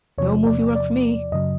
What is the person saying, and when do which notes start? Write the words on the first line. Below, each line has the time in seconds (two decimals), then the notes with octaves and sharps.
No movie work for me!
0.18 E2 C3 F3 C#5
0.47 D5
0.75 D5
1.32 F#2 C#3 F#3 D#5